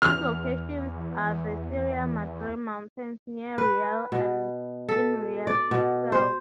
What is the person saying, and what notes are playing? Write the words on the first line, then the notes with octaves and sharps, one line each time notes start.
Its locations are the Sierra Madre mountains near Real and in Real itself.
E2 F6
B4
B2
A4
D5
B2
C5